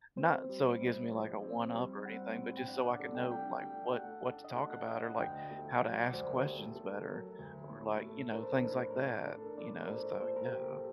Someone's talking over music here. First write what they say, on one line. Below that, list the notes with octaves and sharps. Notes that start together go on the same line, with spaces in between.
not so it gives me, like, a one up or anything, but just so I could know, like, what what to talk about or, like, how to ask questions better or, like, you know, things like that, you know? So yeah.
C4 C5
G3
A#1
A#1
C4
G3
C4 F#5
A2
G5
D4 F#5
D5
C2 A4
G5
D4 G5
A3 G5
A3 F#5
D4
D#5
A3 F#5
F#5
D4 D#5
F#5
D2 G5
A3
F#3 F#5
D5
D2 C5
A#4
A3 G4
A3 A4
F#3 A#4
D2
A2
A3
D4 A#4
C5
A#4
A2 A4
A#4
A3 A4
A4
D4 A4
A#4
A2 D5
A#4
A3 C5
A#2 C5
A#4
A3 G4
A4